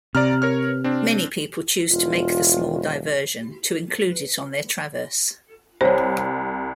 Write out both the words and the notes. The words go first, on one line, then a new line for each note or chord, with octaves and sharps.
Many people choose to make the small diversion to include it on their traverse.
C3 D5 A#5 F6
A#4 C#5 F6
C4 D4
E1 F4
C2 C5 C#5